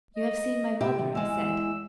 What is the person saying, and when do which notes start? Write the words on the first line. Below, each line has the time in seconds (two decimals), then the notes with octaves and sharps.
"You have seen my mother," I said.
0.16 D#5
0.81 C3 G4 E5
1.15 E2 G#3 E6